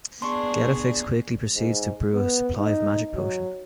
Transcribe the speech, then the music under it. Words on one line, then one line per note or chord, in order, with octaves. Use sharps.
Getafix quickly proceeds to brew a supply of magic potion.
B3 D4 G#4 C6 C#6
G#2
B3
D#4
F#3